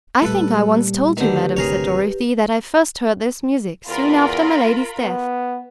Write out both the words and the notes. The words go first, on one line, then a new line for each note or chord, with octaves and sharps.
'I think I once told you, madam,' said Dorothee, 'that I first heard this music, soon after my lady's death!
A#2 G3 A3 A4 B4
D2 D3 D#3 G4 B4
G#1 C3 G#4 A#4 C#5
E2 F4 A#4 B5
B3